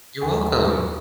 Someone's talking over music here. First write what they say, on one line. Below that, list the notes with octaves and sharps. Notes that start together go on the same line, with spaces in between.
You're welcome.
D#2 A4 G#5